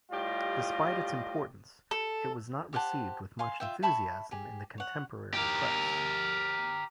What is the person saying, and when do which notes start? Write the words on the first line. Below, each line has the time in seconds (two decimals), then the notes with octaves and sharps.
Despite its importance, it was not received with much enthusiasm in the contemporary press.
0.12 A2 G3 F4 G4 D#5
1.91 A4
2.73 G4 C5 F#5 A5
3.39 F5 G#5 C6
3.60 F4 E5 G5
3.83 E5 A5 B5 C#6
4.31 G4 G#4
4.78 C#5 F#5
5.34 G4 A#4